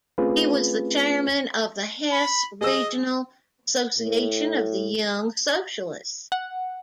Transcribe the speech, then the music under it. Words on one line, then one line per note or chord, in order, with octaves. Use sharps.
He was the chairman of the Hesse regional association of the Young-Socialists.
A3 C4 C#4 F4 G#4 B4
B5
G#4 D#5 E6
A2
F#5